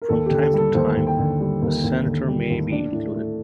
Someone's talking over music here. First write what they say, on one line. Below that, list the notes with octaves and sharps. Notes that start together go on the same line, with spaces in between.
From time to time, a senator may be included.
A#4
D#2 A4
D3 G4
A4
G3 A4
D#2 C5
D#2
G5
D3
G3
D#2
D#2
D3
G3
D#2
D4
A2
A3